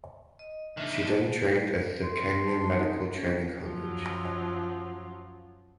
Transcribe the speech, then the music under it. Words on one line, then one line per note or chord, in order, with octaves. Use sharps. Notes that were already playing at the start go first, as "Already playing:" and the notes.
She then trained at the Kenya Medical Training College.
D#5
D#3 D4 E5
B3 A5
C6
A5
D#4
C#4
F#2 F3 F#3 F4